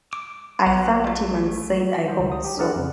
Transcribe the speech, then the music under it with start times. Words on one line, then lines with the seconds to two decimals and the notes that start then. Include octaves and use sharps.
I thanked him and said I hoped so.
0.13 D6
0.66 A#1 F#3 B3 F#5
1.04 G3 A3 F4
2.06 G3 C5
2.18 C#2 D#3
2.32 D#6
2.44 G4
2.57 D4 G#4 A#4 D5 F#5
2.76 F2 C#3